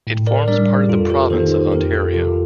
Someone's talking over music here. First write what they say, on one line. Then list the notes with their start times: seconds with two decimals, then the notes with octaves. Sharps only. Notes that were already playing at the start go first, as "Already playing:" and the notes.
It forms part of the province of Ontario.
0.07 A2
0.27 A#4 D5
0.48 G3 D4 A#4 D5
0.83 G4
0.89 F2 F4 A4
1.10 G4 A#4
1.30 D#3 A#3 D#4 A4 C5
1.51 A4 C5
1.72 F2 G4 A#4
1.93 F4 A4
2.14 C3 F3 F4 A4